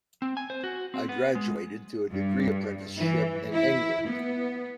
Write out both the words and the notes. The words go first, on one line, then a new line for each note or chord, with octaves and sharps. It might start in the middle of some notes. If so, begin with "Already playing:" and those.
I graduated through a degree apprenticeship in England.
C4
G#5
C5
F#4
C4
B3
G#3
G2
E3
E4
B3